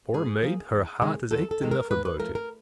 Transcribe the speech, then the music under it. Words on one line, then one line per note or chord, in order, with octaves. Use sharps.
Poor maid, her heart has ached enough about it.
G#2 G#4
F3 A#3
E2
C3 D#3 G#3
E2 A4
A4
C3 D#3 G#3
A#4
G#2 B4
B4
F3 A3 A#4
A#4